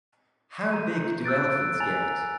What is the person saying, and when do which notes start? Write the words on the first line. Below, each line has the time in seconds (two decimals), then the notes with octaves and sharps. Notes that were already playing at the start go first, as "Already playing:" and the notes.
How big do elephants get?
0.71 A#5 G6 D#7
1.24 E6 F#6 A6 D7
1.80 G#5 A#5 A6 F7